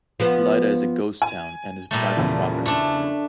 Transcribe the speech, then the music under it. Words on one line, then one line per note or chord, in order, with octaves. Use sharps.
Lida is a Ghost Town and is Private Property.
F3 B3 C5
G#5
A#2 G3 A3
E2 C#3 F3
A3 D4